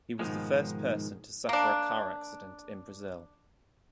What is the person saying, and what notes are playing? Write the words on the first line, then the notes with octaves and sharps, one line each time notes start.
He was the first person to suffer a car accident in Brazil.
G#2 B2 D3 D#3 F3 G#3
A#3 D4